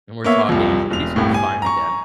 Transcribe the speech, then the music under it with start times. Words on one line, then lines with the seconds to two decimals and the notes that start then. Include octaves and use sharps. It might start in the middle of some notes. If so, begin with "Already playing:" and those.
and we're talking, and, eh, she seems fine again,
0.24 A#3 B3 C#5 E5
0.49 C2 F2
0.91 E1 F7
1.16 G1 C2 A2
1.34 G#5
1.62 A#5 C#6